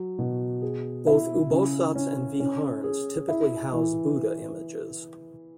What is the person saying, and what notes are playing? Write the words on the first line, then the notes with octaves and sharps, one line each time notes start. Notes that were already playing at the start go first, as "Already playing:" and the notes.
Both ubosots and viharns typically house Buddha images.
Already playing: F#3
B2
G#4
E4
C#3
C#4
C#4
G#4
E4
E3